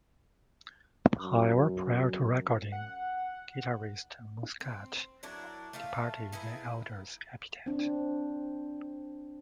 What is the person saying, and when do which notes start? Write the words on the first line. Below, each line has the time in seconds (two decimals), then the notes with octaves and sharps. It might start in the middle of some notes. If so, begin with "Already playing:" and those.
However, prior to recording, guitarist Muscat departed Adler's Appetite.
1.20 F#2
2.72 F#5
4.60 C4
5.23 F#3 D4 E4 A#4
5.73 A3 F4 E5 F5
6.32 D#4 E4 G#4 B4
7.66 C4 D4